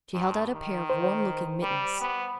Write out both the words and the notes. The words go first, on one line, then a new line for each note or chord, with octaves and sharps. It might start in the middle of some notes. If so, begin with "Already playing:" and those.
She held out a pair of warm-looking mittens.
G2
D#3
C5
G3
B3